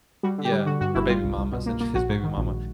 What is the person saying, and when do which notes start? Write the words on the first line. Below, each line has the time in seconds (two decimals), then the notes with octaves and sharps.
yeah, her baby mama s and his baby mama.
0.23 G3 F#4
0.38 D3
0.45 G4
0.52 G3
0.66 D3 F#4
0.81 G2 F#4
0.95 G1 E4
1.09 G3 F4
1.24 C2
1.37 C2
1.52 B2
1.66 A#3
1.81 A#3
1.95 A#1 F#4
2.09 G#2
2.24 D#3
2.37 A#1